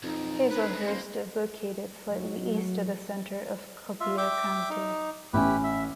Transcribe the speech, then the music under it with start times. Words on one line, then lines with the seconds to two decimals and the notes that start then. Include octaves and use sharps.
Hazlehurst is located slightly east of the center of Copiah County.
0.03 B1 F2 D#4
0.50 D2 G#3 B3 B4
0.86 D#1 A#3 C5
2.11 F#3
4.00 F4 E5
4.18 E5 G5 D6
4.70 D#4
5.33 A1 C#4 E4 G4 B4
5.64 E5